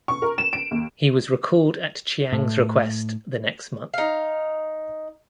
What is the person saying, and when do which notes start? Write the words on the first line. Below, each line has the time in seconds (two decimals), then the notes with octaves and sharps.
He was recalled at Chiang's request the next month.
0.08 C#6
0.22 A#4
0.38 E7
0.53 D7
0.71 D#2
2.32 A2
3.94 D#4 F5